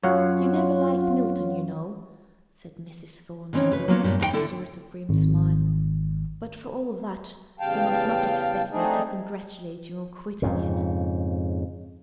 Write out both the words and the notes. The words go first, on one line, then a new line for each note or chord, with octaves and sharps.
You never liked Milton, you know,' said Mrs. Thornton, with a sort of grim smile; 'but for all that, you must not expect me to congratulate you on quitting it.
F#2 F4 C#5 F5 F#5
D#3 E3 C4 C#4
C#3 B4
F#3 A#3 B3 C#4 F4
G2 A#2 G3
E2 D#4 G#4 G5
D3 E4 A4 E5
G#1
E2 C#3 G3 F5 G5 A5
A3 C4 D4 D#4 G#4
F2 G#2 C#3